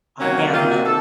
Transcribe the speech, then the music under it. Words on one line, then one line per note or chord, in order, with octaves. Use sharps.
a handheld,
C3 D#3 F#3 A#3 C#4
C3 D#3 A#3 F4
F#4
C3 A4